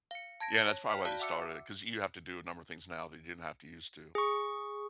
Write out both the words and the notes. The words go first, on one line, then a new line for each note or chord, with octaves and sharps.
Yeah, that's probably why they started it 'cause you have to do a number of things now that you didn't have to use to,
F5 C#7
A5 G#6 A#6 D7
C#5
G5 F6 B6
F#4 D5 F5 A5 F#6
E5 F#5 D6 E6 C#7
G#4 C#6